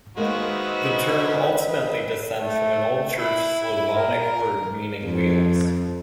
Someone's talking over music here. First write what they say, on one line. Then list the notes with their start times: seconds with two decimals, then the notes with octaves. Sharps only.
The term ultimately descends from an Old Church Slavonic word meaning wheels.
0.17 D#3 G#3 A#3 F#4 B4 C5 D#5 E5
2.40 A3
3.17 E4 B5
3.96 A#4
5.04 F2